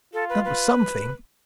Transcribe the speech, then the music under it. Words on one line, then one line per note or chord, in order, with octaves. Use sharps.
That was something.
F4 A4
B4
B4